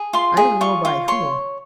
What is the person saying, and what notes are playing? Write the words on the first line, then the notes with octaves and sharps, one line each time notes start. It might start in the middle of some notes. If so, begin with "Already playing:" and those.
I don't know by whom.
Already playing: G#4
F4 C6
G#4
F4 C#6
F4
C#5 C6